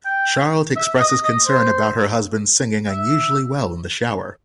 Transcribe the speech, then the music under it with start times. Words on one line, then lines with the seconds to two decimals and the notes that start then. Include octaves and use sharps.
Charlotte expresses concern about her husband singing unusually well in the shower.
0.05 G5
0.76 E5
1.00 D#5
1.24 D#5
1.47 C5
2.90 E5